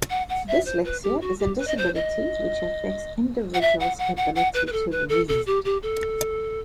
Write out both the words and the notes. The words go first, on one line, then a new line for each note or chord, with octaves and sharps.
Dyslexia is a disability which affects individual's ability to read.
F#5
F#5
E5
C5
B4
G4
F#4
G4
B4
D#5
C5
D#5
F#5
E5
F#5
F#5
F#5
F#5
B4
B4
A4
B4
A4
A4
G4
G4
A4